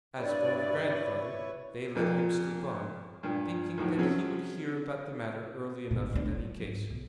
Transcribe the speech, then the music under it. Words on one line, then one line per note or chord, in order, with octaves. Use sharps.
As for the grandfather, they let him sleep on, thinking that he would hear about the matter early enough in any case.
G2 E4 B4 C#5 D5
F2 A#2 F3 A#3
G2 A#2
D#2 A2 F3 F#3
C3 F3 F#3 C#4 G#4
G#1 B2
G3 D4
F#3
G#2
B1